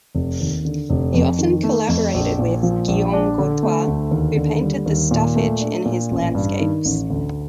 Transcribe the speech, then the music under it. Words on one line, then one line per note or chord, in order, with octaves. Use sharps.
He often collaborated with Guillaume Courtois who painted the staffage in his landscapes.
F1
D#2
D3
F1
F2
D#3
A3
F2
A#1
A#2
F3
A#1
D4
D3
A3
D2
D#2
D3
G3
D#2
A#2
A3
D4
A#2
A1
G2
D#3
A1
D2